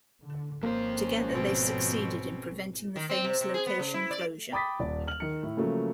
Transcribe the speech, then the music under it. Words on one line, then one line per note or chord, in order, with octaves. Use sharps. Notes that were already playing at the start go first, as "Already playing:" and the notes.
Together they succeeded in preventing the famous location closure.
D3
G#1 F2 A#3 C#4 C5
B2 C4
D#3
C4
C3
C3
G#4
B3
C#3
E4
D5
G5 B5 D6 D#6 A6 B6
D#1 D5
F6 F#7
D#3 C#7
A2
C#3 F3 F#3 A3 A#3